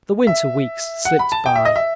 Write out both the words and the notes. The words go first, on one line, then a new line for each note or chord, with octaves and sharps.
The winter weeks slipped by.
E5
F#5
B5
A5
G5
E5
D#5
E5